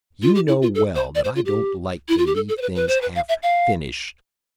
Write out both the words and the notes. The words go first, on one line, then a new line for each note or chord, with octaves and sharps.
"You know well that I don't like to leave things half finished."
F4
G4
E4
F4
A4
C5
D5
C5
F4
G4
E4
F4
G4
A4
A4
C5
B4
B4
C5
B4
F5
E5
F5